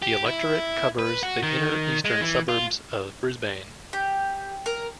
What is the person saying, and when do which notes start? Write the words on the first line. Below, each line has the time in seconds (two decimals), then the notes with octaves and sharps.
The electorate covers the inner eastern suburbs of Brisbane.
0.02 G4
0.26 E4
0.99 B4
1.23 F#4
1.43 D#3
2.05 G#3
2.22 E3
2.49 F4
3.93 G4
4.66 A#4